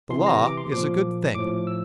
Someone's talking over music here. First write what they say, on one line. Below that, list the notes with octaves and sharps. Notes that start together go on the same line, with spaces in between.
The Law is a good thing.
C3 E3 C6
A#5
D6
C6
A#2 F3 D6
A2 F3 D6
E6